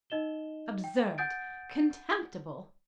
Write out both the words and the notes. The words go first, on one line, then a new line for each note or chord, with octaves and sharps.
Absurd! contemptible!
D#4 D#5 E7 G7
G5
F#5 G#5 D#6 G6 A6 D7